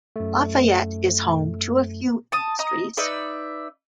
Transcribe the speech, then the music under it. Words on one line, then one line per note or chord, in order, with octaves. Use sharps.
Lafayette is home to a few industries.
F#2 A3
A5 D#6
D#5 A#5 D#6
D#4 B4 D5 E5